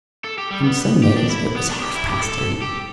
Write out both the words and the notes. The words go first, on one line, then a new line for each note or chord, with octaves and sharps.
On Sundays it was half-past eight.
A4
G4
G3
B3
G4
D4
E4
B3
D4
G4
E4
G4
A4
G4